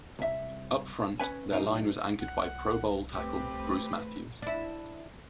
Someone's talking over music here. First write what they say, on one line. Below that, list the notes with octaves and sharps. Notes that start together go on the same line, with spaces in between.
Up front, their line was anchored by Pro Bowl tackle Bruce Matthews.
C2 E5
C#4 B4 G#5
B1 G#2 D#4 F5
C2 F#5
A3 C4 G4 B4
D4 E4